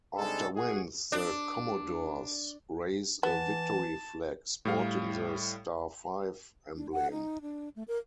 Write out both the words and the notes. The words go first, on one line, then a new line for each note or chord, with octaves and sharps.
After wins the Commodores raise a victory flag sporting the "Star Five" emblem.
C3 G3 G#3 D4 D#4 A4
F#4 G#4
D4
E3 B3 A5
A2 G3 F5
D4
F#5
D#4
D4
A3
A#4